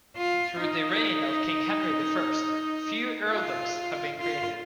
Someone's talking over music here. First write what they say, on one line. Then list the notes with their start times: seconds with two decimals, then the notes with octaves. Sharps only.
Through the reign of King Henry the First few earldoms had been created.
0.17 F4
0.62 D#4
3.30 F4
4.20 F4